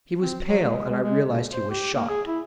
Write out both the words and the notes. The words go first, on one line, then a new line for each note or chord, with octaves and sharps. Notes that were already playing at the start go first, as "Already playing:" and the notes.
He was pale, and I realized he was shocked.
C4
F#3
G#3
G#3
G#3
B2
C5
G4
A#3
G#4
E4